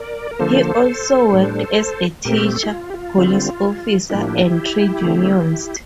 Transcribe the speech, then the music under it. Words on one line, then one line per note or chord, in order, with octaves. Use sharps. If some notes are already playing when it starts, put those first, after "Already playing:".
He also worked as a teacher, police officer, and trade unionist.
Already playing: A#4 D5
A#4
D3 F3 A#3 A4 C5
A2 G3 D4
A#2 A3 C4 G4 A#4
G4
A4
E4 G4
F4
G4
F4
D3 G3 C4
A2 F3 A#3 D4 E4 G4
D3 A3 C4